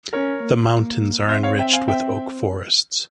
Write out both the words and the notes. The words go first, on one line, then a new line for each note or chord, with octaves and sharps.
The mountains are enriched with oak forests.
C#4 A#4 C#5
A#3
A#3
C4 C5 E5
C#5 F5
E5 G5
F5 G#5
E5 G5